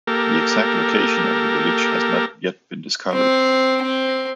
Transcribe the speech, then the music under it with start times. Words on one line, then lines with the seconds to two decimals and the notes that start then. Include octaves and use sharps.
The exact location of the village has not yet been discovered.
0.07 A#3 G4 A4 A#4
3.13 C4
3.82 C4